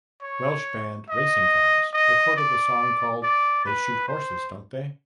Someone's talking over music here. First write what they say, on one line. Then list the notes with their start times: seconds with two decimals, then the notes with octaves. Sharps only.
Welsh band Racing Cars recorded a song called They Shoot Horses Don't They?
0.22 C#5
1.09 D#5
1.94 D#5
2.37 D5
3.23 D5
3.66 B4
4.08 C5